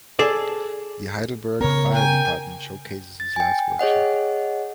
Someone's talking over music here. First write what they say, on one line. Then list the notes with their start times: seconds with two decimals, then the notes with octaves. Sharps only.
The Heidelberg Fire Department showcases his last workshop.
0.19 G#4 A4 D5
1.61 C#3 B3 A#4 C#5
1.93 G5 G#5
3.20 A6
3.36 G5 G#5
3.79 G#4 C#5 D#5 F#5